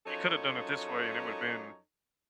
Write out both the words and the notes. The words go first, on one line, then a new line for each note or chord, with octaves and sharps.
You coulda done it this way, and it would’ve been"
F#2 F3 D#4 A4 C#5